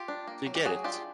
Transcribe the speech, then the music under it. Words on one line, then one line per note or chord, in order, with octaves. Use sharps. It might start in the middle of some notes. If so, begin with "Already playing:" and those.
Do you get it?
Already playing: F4 G4
D4
A#3
F#3
G4
F#3 F#4 G#4
D4 F4 G4